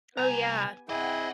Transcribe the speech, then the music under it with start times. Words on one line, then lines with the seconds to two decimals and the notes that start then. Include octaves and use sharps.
Oh, yeah.
0.17 C2 B3 G4 G#5 A#5
0.89 C4 E4 G#4 D5 D#5 F#5 G5